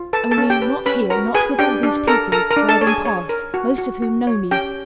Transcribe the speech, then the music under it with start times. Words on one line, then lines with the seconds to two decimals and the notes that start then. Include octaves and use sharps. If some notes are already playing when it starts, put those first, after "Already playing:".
Only, not here, not with all these people driving past; most of whom know me.
Already playing: F4
0.13 A4 B4 A5
0.31 A4 A5
0.38 C#4
0.50 G4 G5
0.62 B4
0.86 C#4 B4 B5
1.10 F#4 A#4 A#5
1.35 G#4 B4 G#5
1.59 D4 G4 G5
1.83 D4
2.07 A4 A#4 A#5
2.32 A4 A#4 A#5
2.51 A#4 A#5
2.56 D4
2.68 A4 A5
2.81 C#5
2.87 G#4 G#5
3.05 C#5
3.29 A#4
3.54 F#4
3.78 F#4
4.02 F#4
4.27 C#5
4.51 C#4 G4 G5